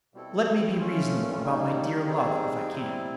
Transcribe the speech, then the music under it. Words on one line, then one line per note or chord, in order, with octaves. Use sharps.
Let me be reasonable about my dear love, if I can.
B2 G3 C4 E4 A4
A3 C#4 F4
D#3 G3 A#3 D#4
G3 C4 D#4 G#4
G3 C4 E4